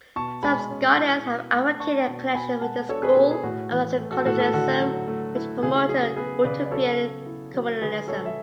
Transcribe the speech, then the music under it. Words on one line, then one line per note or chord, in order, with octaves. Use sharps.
Some scholars have advocated connections with the school of agriculturalism, which promoted utopian communalism.
B2 A5 C#6
G#3 G#5 B5
C#4
E4
B2
A3
D4 A5 C#6
B2
B2 G#5 B5
G#3 F#5 A5
D4 A4 C#5
G#4 B4
B2 G#4
G#4
A2 F#4
E3
A3
F#4 A4
A2 F#4 A4
F#4 A4
D3 F#4 A4
F#3
A3
E4
C#3 G#4
G#4
F#3 G#4
G#4
B3 G#4 B4
C#3 B4 D5
D5
F#3 A4 C#5
B3
E4
F#3
D3 G#4 B4
G#3 A4 C#5
E5